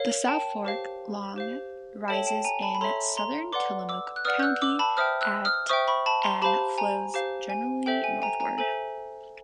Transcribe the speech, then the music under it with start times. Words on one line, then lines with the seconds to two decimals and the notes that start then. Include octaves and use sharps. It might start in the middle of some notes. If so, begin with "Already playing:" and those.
The South Fork, long, rises in southern Tillamook County at and flows generally northward.
Already playing: A#4 C#5 F5
0.27 G5 A5
0.65 G4 C5 F5
1.36 G4 C5 F5
2.08 A4 C#5 E5 G5 A5
2.27 G5 A5
2.45 G#5 A#5
2.62 A5 B5
2.75 B5
2.81 A4 C#5 E5 A#5 C6
3.17 A#5 C6
3.53 B4 D5 F#5 C6 D6
3.89 D6 E6
4.16 F#6
4.25 B4 D5 F#5 D#6 F6
4.39 G6
4.43 E6 F#6
4.61 D6 E6
4.79 A5 B5
4.97 C5 E5 G5 D#6 F6
5.21 E6 F#6
5.45 D#6 F6
5.69 C5 E5 G5 C#6 D#6
5.88 B5 C#6
6.06 A5 B5
6.23 A#5 C6
6.42 G4 C5 F5 A5 B5
6.78 G#5 A#5
7.14 G4 C5 F5
7.50 G#5
7.86 A4 C5 E5 G5
8.04 G#5
8.22 G#5 A#5
8.40 G#5 A#5
8.58 A4 C5 E5 G#5